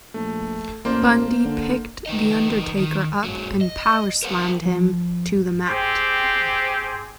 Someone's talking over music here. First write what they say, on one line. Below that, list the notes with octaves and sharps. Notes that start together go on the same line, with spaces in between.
Bundy picked The Undertaker up and powerslammed him to the mat.
A#1 A3
A1 A#3 C5 D5
D3
E3 D#4 D#5
D#3
G#2 F#3
D#5
A#4 C5 F#5
F3
C4 G4 G#4 C5